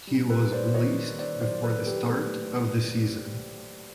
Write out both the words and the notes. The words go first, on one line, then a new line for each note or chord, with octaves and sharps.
He was released before the start of the season.
G3
A4 B4
A#3
C5 D5
D#3 C#5 D#5
D#3
C5 D5
F#3 C5 D5
A4 B4
A#3
G4 A4
A2 A4 B4